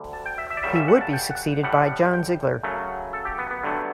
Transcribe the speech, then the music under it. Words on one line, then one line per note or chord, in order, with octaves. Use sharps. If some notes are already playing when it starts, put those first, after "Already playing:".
He would be succeeded by John Ziegler.
Already playing: D2 D3 G3
A5
G5
E5
E5
D5
F#2 C#3 G3 E5
E5
F#5
A5
G5
F#5
A2 G3 F#5
F#5
G5
F#2 C#3 F#3 A3
A4
G4
B3
B3
G2 D3 F#3 A3